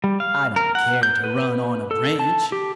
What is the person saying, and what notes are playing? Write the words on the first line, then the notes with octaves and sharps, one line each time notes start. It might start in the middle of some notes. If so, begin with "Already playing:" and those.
I don't care to run on a branch.
G3
F5
A#4
F#5
G6
B4
A4
A5
G4